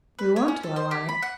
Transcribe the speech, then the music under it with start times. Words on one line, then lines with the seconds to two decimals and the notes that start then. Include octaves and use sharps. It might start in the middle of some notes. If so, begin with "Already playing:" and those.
We won't dwell on it.
0.19 B4
0.36 C#5
0.48 C#4
0.63 A4
0.76 C5
0.91 G4
1.09 B5
1.22 F#5